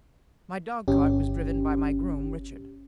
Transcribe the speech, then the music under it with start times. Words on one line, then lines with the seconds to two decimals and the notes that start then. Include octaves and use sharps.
My dogcart was driven by my groom, Richard.
0.88 G1 C#4 G4